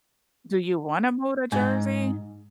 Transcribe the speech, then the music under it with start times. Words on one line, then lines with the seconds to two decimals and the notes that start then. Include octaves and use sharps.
Do you wanna move to Jersey?
1.52 G#2